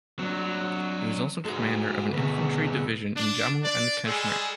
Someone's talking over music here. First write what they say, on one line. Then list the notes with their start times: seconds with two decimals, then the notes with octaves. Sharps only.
He was also commander of an infantry division in Jammu and Kashmir.
0.19 F#3 C4 D4
1.45 G#2 G#3 F#4 A4
2.13 D2 B2 G#4 B4
3.16 D4
3.63 D4 D5
4.06 G3 G#3 G#4 A4